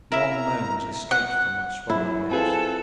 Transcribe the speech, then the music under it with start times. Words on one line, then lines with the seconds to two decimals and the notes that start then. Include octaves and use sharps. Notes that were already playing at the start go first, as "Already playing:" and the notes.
Long moans escaped from my swollen lips.
0.12 E4 A#4 E5 A#5
1.11 F#5
1.90 F#2 E4
2.31 C4 F4 G#4 A4 B4 G#5